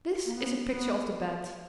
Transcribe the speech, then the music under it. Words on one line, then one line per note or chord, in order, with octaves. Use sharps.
This is a picture of the bed!
A#3
B3
B3